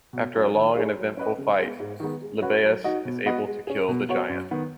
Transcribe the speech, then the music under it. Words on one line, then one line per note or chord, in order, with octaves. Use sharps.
After a long and eventful fight, Libeaus is able to kill the giant.
B2
F#3 C#4
D#3
G#3 D#4 G#4 C#5
F#3
C#4 B4 D#5
C#3
G#3 B3
G#2
D#3 G#3 B3
G#3
C#4 F#4 B4
F#3
D#4 F#4 D#5
B2
B3 F#4 B4 D#5
G#3
C#4 G#4
B2
B3 F#4 C#5
F#2
D#3 B3